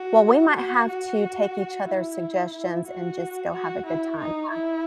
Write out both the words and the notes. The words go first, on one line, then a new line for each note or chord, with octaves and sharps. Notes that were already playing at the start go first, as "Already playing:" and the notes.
Well, we might have to take each other's suggestions and just go have a good time, then.
Already playing: F#4
F#4
F#4
E4
E4
F#4
F#4
E4
D#4
E4